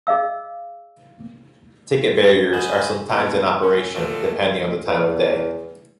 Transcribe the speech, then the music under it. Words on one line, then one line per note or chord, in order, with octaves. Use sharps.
Ticket barriers are sometimes in operation, depending on the time of day.
G#4 D#5 F5 E6
F#4 G#4 B4 C5 D#5
F2 B2
C#4
A#2 F#3 G#3 A3
E2